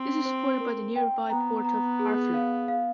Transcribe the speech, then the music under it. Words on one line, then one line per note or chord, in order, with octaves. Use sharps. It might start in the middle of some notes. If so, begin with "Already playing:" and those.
This was supported by the nearby port of Harfleur.
Already playing: C4
C5
A#4
G5
B3 A#5
A#5
G#4
F5
F5